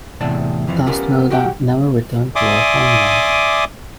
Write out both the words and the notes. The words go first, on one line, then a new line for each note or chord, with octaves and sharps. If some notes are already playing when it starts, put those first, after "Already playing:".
Thusnelda never returned to her homeland.
E2 A2 C3 D5 A5
F2 E3 F3
B3 C#4 F4 G4 A#4
F#4 G4 F#5 G5
D5 E5 G#5 C6 D6 D#6